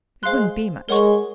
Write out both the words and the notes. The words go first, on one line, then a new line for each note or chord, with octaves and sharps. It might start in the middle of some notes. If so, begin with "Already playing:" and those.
It wouldn't be much.
G#3 C5 F5 C6 F#6
G#3 A#4 C#5 F#5 C#6